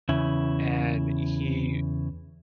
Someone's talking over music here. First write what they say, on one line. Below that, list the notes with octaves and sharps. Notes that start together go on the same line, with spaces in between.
And he
E2 C#3 E4